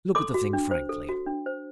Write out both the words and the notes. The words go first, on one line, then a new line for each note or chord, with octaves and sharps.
Look at the thing frankly.
A4 C6 D6
F#4
D4
C5
A4
F#4
D4
C5